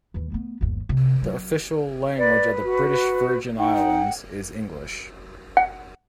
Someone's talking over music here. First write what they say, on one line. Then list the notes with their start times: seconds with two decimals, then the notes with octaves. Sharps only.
The official language of the British Virgin Islands is English.
0.14 D#2 E3
0.32 A3 B3
0.61 G1 D#2
0.89 C3
1.22 F#3
2.18 B4 D5
2.64 F#4
3.58 D#4 F#5 G5
5.57 F#5